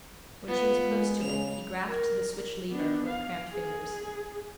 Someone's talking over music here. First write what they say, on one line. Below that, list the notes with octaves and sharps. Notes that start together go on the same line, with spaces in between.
When she was close to it he grasped the switch-lever with cramped fingers.
B3 F4 B4
G#3
C#3 F7
A#4
B3 D4
F5
G#4